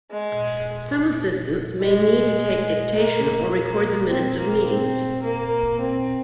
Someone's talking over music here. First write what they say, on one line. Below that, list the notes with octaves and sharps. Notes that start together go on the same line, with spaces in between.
Some assistants may need to take dictation or record the minutes of meetings.
G#3
G#3
A#3
A#3
C4
A#3
C4
A#3
C4